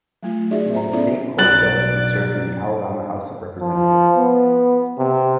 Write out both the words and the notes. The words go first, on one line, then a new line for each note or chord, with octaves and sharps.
He was a state court judge and served in the Alabama House of Representatives.
F#3 A3 F4
D#4 F#4 G#4 D5 E5
C5 E5 G#5 A#5
B3 C#4 E4 F4 A4 D5
B1 F#3 D5 F#6 A6 F#7
F3
B3
C3